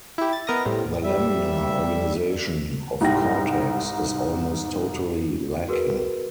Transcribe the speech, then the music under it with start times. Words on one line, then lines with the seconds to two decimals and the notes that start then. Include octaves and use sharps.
The laminar organization of cortex is almost totally lacking.
0.18 E4 G4
0.33 A6
0.47 B3 A#4 D#5 D#6 A#6
0.65 A2 G3 C4
1.03 G3 E5
3.01 C2 G#2 G5 A#6
5.69 F#4 G#4 A#4 B4